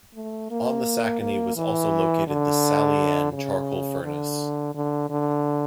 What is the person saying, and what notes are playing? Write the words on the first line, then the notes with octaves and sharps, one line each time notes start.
On the Sacony was also located the "Sally Ann" charcoal furnace.
A3
A#3
A#3
E3
D3
C#3
D3
D3
D3